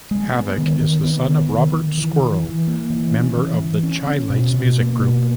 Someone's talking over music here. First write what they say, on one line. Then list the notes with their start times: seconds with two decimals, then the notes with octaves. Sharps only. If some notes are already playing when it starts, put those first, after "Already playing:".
Havoc is the son of Robert Squirell, member of The Chi-Lites music group.
0.11 G#3
0.34 B3
0.58 D#3
0.81 D#3
1.04 B3
1.28 D#3
1.51 D#3
1.74 D#3
1.98 E3
2.20 E3
2.44 E3
2.67 A#3
2.90 E3
3.14 C#4
3.37 E3
3.60 E3
3.83 C#4
4.07 C#4
4.30 B2
4.53 B2
4.77 A#3
5.00 B2